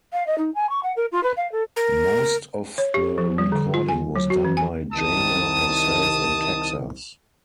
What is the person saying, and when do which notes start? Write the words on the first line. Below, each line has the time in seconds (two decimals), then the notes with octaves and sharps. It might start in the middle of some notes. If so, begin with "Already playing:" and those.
Most of the recording was done by Jana herself in Texas.
0.13 F5
0.27 D#5
0.38 D#4
0.55 G#5
0.69 C#6
0.83 F#5
0.96 A#4
1.12 F4
1.23 B4
1.37 F5
1.52 A4
1.76 A#4
2.78 C#5
2.94 G4
3.18 F3
3.38 G3
3.52 D3
3.74 F4
3.88 G#5
4.16 F#3
4.30 F#4
4.45 E3
4.57 G#5
4.93 C2 D#3 A5 D#6